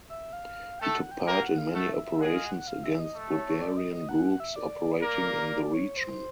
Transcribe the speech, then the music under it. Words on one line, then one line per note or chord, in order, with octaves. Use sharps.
He took part in many operations against Bulgarian groups operating in the region.
E5
F5
A3 A4 G5
F#5
G5
A#3 A#4 G5
F#5
F5
A3 A4 F#5
E5
E5
G#3 G#4 F#5
F5
F#5
F5
E5
D#5
A3 A4
C#5
C#5
D5
D#5
D#5
F#5
F#5
E5
D5
A#3 A#4
D5
C#5
C5